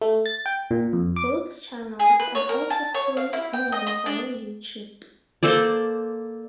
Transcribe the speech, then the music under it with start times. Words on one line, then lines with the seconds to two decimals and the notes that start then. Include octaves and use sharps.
Both channels are also streamed online via YouTube.
0.01 A3
0.26 A6
0.46 G5
0.71 A#2
0.93 F2
1.16 D6
1.99 G#4
2.20 B4
2.35 C#5
2.49 A#4
2.70 A5
2.95 C#5
3.17 F5
3.33 E4
3.53 G5
3.72 D#5
3.87 D#5
4.06 D4
5.43 A#3 A4 C5 D5